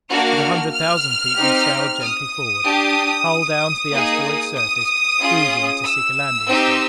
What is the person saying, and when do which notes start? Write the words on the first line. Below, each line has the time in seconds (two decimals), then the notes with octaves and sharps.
At a hundred thousand feet we sailed gently forward, hull down to the asteroid's surface, cruising to seek a landing space.
0.10 A#3 D4 F#4 F6
0.73 F6
1.37 C4 D#4 G4
2.01 D#6
2.65 D4 G4
3.92 A#3 D#4 G#4
4.55 D#6
5.20 C#4 F4 G#4
5.84 E6
6.46 C4 D#4 G4